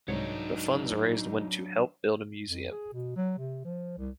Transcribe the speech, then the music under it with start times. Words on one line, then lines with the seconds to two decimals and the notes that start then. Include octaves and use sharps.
The funds raised went to help build a museum.
0.08 C2 G#2 F#3 D4 D#4 C#5
2.45 F2
2.71 G#4
2.93 B2
3.16 F#3
3.38 C3
3.64 F3
3.98 C2